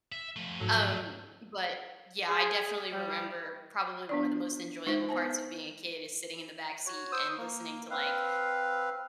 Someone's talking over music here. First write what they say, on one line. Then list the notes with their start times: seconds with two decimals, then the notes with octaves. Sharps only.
Um, but yeah, I definitely remember probably one of the most enjoyable parts of being a kid is sitting in the backseat and listening to like,
0.12 E5
0.36 F3 A3
0.61 G#2 F#3 A4
2.29 G#4
2.92 G3
4.09 B3 D4 D5
4.86 G#3 D#4 F4 C5 E5
5.09 B3 C5 G#5 A5
6.86 F#4 C#5
7.12 C5 D#6 E6
7.37 A#3
7.90 C4 B4 F5